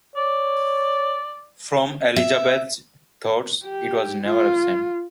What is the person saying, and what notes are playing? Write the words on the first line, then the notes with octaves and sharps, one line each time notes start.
From Elizabeth's thoughts it was never absent.
C#5 D5
E5
G4
F4